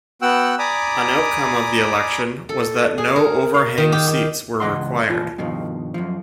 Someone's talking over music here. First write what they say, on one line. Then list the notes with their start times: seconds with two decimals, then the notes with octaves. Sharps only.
An outcome of the election was that no overhang seats were required.
0.22 B3 F#4 F#5 G5 E6 F#6
0.59 D5 G#5 A#5 B5 D6 D#6
2.49 A4
2.98 G#4
3.16 A#4
3.54 F5
3.78 D#3
3.92 G4
4.08 G4
4.60 C#2 E3 D#5 F#5 C6
5.09 A#2 E3 F4
5.38 G2 B2 D#3 F3
5.94 F#2 F3